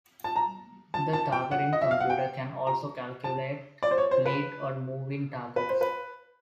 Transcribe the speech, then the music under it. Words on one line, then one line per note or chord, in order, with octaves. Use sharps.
The targeting computer can also calculate lead on moving targets.
A5
A#5
A5
A5
G5
F#5
D#5
E5
F5
F#5
G5
A#5
A5
D5
C5
C#5
C5
B4
B4
C5
B4